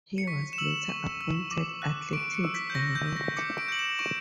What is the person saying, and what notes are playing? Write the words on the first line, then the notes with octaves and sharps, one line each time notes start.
He was later appointed athletics director.
C#7
C#6 B6
E7
E6 F#7
C#6
E6
D6
F#6
C#6 D7
C#7
E6
B6
G6
C#6 A#6
G6
E6
A#6
D6 C#7
D7
G6 F#7
E7
C#6 D7